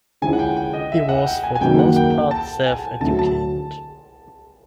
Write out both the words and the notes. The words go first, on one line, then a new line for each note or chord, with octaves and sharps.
He was for the most part self-educated.
D3 F3 G#3 C#4 E4 G#5
F#5
G5
G5
D#5
E5
F#5
G5
G#5
G#5
F#2 D#3 F#3 A#3 G5
F#5
G5
A5
G#5
D2 D3 F#3 A3 A5
A5